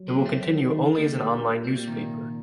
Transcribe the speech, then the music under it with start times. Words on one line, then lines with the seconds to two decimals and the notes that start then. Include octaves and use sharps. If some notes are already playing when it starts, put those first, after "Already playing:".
It will continue only as an online newspaper.
Already playing: F#3
0.08 A#2 D3
0.25 A3 C4
0.60 D#3
0.95 D3 G3 A#3
1.64 A#2 A3 C4
1.75 G3 A#3
1.87 C3 D#3